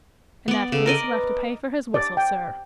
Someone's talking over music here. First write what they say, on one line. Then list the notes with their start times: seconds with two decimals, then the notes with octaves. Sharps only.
"In that case, he'll have to pay for his whistle, sir."
0.48 B3 D5
0.72 C#3 A4
0.86 A#4 D5 D#5
1.09 B4
1.94 D5
2.17 G5